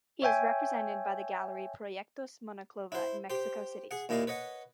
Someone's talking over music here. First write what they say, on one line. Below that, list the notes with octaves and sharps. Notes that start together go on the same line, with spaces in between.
He is represented by the gallery Proyectos Monclova in Mexico City.
C#5 E5 G5 G#5
E4 C5
G4 C5
G#4 F#5
D#2 A#2 E4 D#5 F5
B4 C#5 D#5 F#5